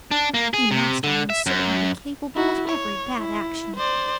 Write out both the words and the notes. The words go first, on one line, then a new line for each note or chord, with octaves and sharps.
He must I am certain be capable of every bad action!
D4
A#3
G#4
C3
D3
E5
F#2
E4 F#4
C#5
E4
C5 D5